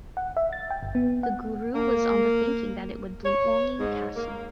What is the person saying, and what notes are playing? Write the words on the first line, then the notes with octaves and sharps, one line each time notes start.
The guru was on the thinking that it would bloom only in Kasi.
F#5
E5
A6
G5
G1
B3
F#5
A#3
C#5
G#2
A#3